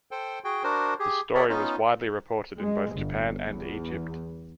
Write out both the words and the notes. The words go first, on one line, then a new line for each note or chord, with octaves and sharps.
The story was widely reported in both Japan and Egypt.
A4 C5 G5
F#4 G#4 G5
D4 F#4 A#4 C5
G4 G#4
F#4 G#4 A#4 C#5 D5 E5
B3 C#4 D#4 F4
G#3
G1
E2